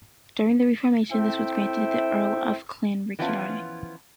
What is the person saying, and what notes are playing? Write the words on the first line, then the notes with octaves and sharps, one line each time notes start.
During the reformation this was granted to the Earl of Clanricarde.
C4 E4 A4 C5 E5 G5
E3 F3 B3 C#4 E4 F4